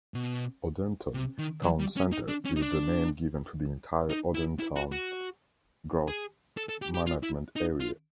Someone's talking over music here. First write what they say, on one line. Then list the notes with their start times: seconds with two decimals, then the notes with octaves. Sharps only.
Odenton Town Center is the name given to the entire Odenton Growth Management Area.
0.14 B2
1.14 C3
1.39 D#3
1.63 F#3
1.80 G3
1.96 C#4
2.12 D#4
2.28 D4
2.45 C#4
2.56 D#4
2.62 D4
4.10 D#4
4.35 E4
4.60 E4
4.76 F#4
4.92 F#4
6.08 G#4
6.57 A4
6.69 A4
6.82 G4
6.94 G4
7.07 F4
7.23 E4
7.56 D#4
7.80 F4